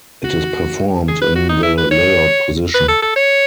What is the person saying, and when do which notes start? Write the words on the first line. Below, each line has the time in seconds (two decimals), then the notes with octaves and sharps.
It is performed in the layout position.
0.24 F#4
1.08 G#4
1.22 B4
1.36 F#4
1.49 D#4
1.63 E4
1.78 B4
1.91 C#5
2.74 B4
2.88 A4
3.02 A4
3.16 C#5